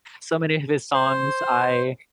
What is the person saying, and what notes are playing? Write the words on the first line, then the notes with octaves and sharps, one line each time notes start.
So many of his songs, I
C5